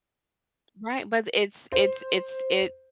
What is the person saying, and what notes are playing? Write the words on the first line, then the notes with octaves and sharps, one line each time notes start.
Right, but th it's it's it's it
C5